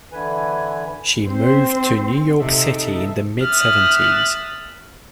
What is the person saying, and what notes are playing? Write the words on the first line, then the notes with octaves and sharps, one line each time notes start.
She moved to New York City in the mid-seventies.
D3 E3 B4 G#5
C4 C5
C3 D#4 A4 E5
E5 D#6 F6 F#6 A6